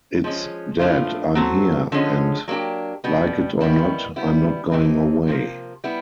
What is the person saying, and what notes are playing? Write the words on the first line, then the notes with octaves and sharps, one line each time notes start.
It's 'Dad, I'm here, and like it or not, I'm not going away.
F3 G#3 C#4
A2 F3 A3 D4 F4
F#3 A3 C4
D3 F3 G#3 C#4
F#3 A#3 D4 G4
B2 G3 B3
D#3 G3 B3 E4
G3 B3 E4
E3 A3 C4 D#4
C3 F3 A#3
G3 B3 E4